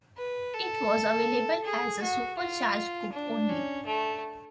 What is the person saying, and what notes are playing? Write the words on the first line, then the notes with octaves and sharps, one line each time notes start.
It was available as a Supercharged coupe only.
B4
A4
G#4
F#4
F4
D4
C#4
A3